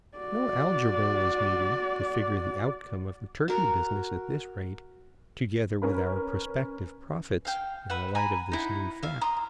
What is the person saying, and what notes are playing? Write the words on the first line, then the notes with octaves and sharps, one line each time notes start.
No algebra was needed to figure the outcome of the turkey business at this rate, together with our prospective profits, in the light of this new fact.
F#4 D5
F#4 A#4
C#4 A#4 B4 B5
F5 G5
B4 E5 F#5
G#5 A#5 B5
D#4 E4 F#5
E5 F5
A#5 C6 D#6